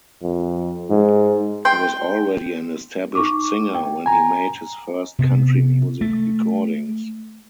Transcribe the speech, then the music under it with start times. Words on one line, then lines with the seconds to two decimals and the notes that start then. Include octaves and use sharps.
He was already an established singer when he made his first country music recordings.
0.23 F2
0.90 G#2
1.65 G5 C6
3.15 D#4 C#6 D6
3.75 G5
4.06 G#5 A#5
5.19 C3 B3
6.01 A3